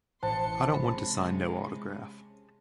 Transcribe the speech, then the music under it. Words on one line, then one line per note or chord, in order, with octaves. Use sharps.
I don’t want to sign no autograph.
A1 C5 A5 C6 C#7
C3 G#3 C#4 B5